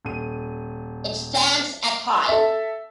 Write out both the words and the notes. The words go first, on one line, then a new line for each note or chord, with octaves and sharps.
It stands at high.
D#1 D#7
A4 E5